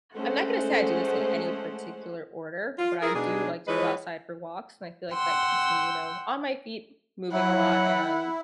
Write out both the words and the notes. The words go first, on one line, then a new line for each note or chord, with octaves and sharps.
I'm not gonna say I do this in any particular order, but I do like to go outside for walks, and I feel like that keeps me, you know, on my feet moving a lot, and
G#3 A3 C#4 A4 C5 F#5
F4
E4 F4 G#4 A#4
B2 G#3 D4 D#4 G#4
E3 F3 G#3 B4 C#5 D#5
F#5 G5 C6 E6
F#3 E4 F#5